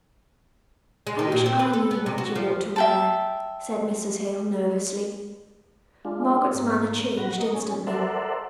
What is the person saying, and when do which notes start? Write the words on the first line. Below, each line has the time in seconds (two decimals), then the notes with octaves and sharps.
'I wish I knew what you ought to wear,' said Mrs. Hale, nervously. Margaret's manner changed instantly.
1.07 G#3
1.19 D#3
1.32 A#2
1.46 C4
1.59 B4
1.73 A4
1.91 B3
2.06 C3
2.18 F#4
2.35 F3
2.76 E5 G5 A5
6.05 G#3 D4 F4
6.54 G#2 A#3
7.17 A2 F#4 B4 F#5 A#6
7.38 A#3 D#5
7.54 C#4 G#4
7.87 A4 A#4 C5 D5 E5 F#5